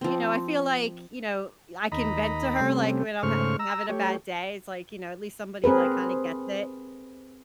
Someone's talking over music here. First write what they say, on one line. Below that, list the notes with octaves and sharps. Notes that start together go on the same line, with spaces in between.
you know, I feel like, you know, I can vent to her, like, when I'm hav I'm having a bad day. It's like, you know, at least somebody, like, kinda gets it.
F3 C4
D#2 D#5 A#5 B5
C3 G3 A3 C4 C#4
G#2 C#3 A3 C5 C#6 F6
A#5 E6
A3 G4 C#5
C4 G#4 A#4 B4